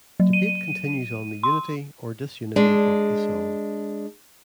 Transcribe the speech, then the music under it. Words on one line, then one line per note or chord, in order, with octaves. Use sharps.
Debate continues on the unity or disunity of the Song.
F#3
D#7
C6
G#3 D4